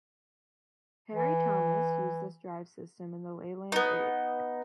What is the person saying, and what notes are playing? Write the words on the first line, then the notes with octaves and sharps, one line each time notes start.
Parry-Thomas used this drive system in the Leyland Eight.
E3
B3 D#4